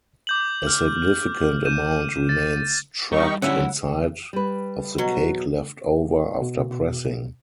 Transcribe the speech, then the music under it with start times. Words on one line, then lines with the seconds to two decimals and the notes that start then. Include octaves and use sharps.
A significant amount remains trapped inside of the cake left over after pressing.
0.27 D6 G6 F#7
0.63 F6 F#7
1.65 G6 D#7 E7
2.29 A6
3.12 D#3 G3 D#4 C#6
3.42 G2 D3 F#3 G3 C#4 E4 E5 F#5
4.33 G3 B4
4.98 B2 F#3
6.42 B2